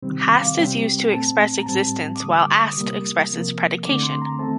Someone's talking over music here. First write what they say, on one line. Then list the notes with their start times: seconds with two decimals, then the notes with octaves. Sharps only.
"Hast" is used to express existence while "ast" expresses predication.
0.03 C3 D#3 G3 C4
0.20 D6
0.39 F5
0.57 C3 G3 C4 G5
1.12 A#2 A3 C4 A5
1.58 A#5
1.66 A2 G3 C4 A5
2.16 D6
2.20 D3 G3 A#3 D#6
2.39 D6
2.58 D#6
2.76 C3 G3 A#3
3.30 C3 F3 A#3
3.85 D3 A3 C4 D6
4.03 C6
4.22 A#5
4.39 D#3 A3 C4 A5